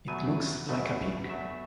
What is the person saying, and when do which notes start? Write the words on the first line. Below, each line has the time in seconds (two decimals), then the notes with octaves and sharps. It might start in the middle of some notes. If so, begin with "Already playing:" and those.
It looks like a pig.
0.08 E2 B2 F#3 A3 G#5
0.69 E2 B2 F#3 A3
1.29 E2 B2 F#3 A3 E5
1.45 E5